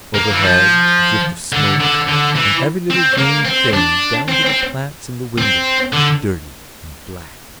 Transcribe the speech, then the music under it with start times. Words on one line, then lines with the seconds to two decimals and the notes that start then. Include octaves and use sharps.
Overhead a drift of smoke, and every little green thing down to the plants in the window dirty and black.
0.15 A#3
0.31 E3
0.43 F3
1.52 D3
1.80 D3
2.07 D3
2.35 E3
2.91 C4
3.18 A#3
3.45 C4
3.74 D4
4.29 C4
4.47 C4
5.38 C4
5.93 D3